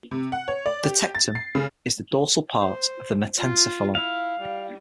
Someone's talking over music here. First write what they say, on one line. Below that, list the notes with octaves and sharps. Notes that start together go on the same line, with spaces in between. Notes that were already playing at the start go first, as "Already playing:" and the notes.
The tectum is the dorsal part of the metencephalon.
C3
F#5
C#5
D5
G4
A6
C7
C#3
C5
F4
E4 F5
G3